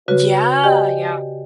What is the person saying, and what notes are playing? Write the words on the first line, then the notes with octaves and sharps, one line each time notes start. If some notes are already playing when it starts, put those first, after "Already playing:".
Yeah, yeah.
C#3 F#4 B4
G4 D5 D#5 G5 G#5